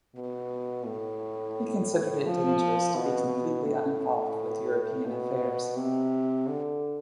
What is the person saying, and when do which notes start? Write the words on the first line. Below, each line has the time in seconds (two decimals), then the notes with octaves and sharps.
He considered it dangerous to be completely uninvolved with European affairs.
0.16 B2
0.85 A2
2.26 F3
2.96 B2
3.66 A2
5.07 B2
5.76 C3
6.47 D3